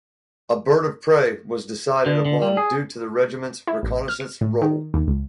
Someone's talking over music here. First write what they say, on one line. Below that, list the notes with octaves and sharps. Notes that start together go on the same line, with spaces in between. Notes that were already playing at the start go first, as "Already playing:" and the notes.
A bird-of-prey was decided upon due to the regiment's reconnaissance role.
D3
D3
G3
G#4
E4
A1
F6
A2
D#3
D#2
C#2